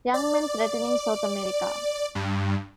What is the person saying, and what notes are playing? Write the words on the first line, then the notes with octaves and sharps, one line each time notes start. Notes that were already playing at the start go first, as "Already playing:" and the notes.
Young men threatening South America!
D5
G2